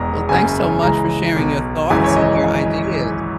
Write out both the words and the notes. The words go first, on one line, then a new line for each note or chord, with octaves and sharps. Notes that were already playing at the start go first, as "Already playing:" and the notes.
Well, thanks so much for sharing your thoughts and your ideas.
Already playing: E1 E2 B2 A#5
F#1 F#2 C#3 G#5
C#2 C#3 E3 A#5
B1 B2
G#1 F#2 C#3 E3 G#5
C#5
D#5